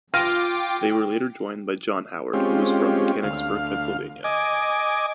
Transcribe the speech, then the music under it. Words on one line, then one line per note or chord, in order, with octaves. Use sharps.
They were later joined by Jon Howard, who is from Mechanicsburg, Pennsylvania.
F4 G5 D6 F6 A#6 D#7
G#3 C4 C#4 F4 G4
D2 F5
D#5 G#5 D6